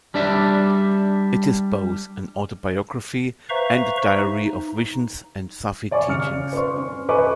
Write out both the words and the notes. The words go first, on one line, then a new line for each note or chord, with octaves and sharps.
It is both an autobiography and a diary of visions and Sufi teachings.
G3 D4 D5 E5
B4 C5 E5 F5 A#5 C#6
D#4
C#5 D5 G#5 C#6 D6
C#3 F6 C#7
B4 C5 D5 C6 C#6
C#4
A4 B4 D#5 G#5 C#6 D6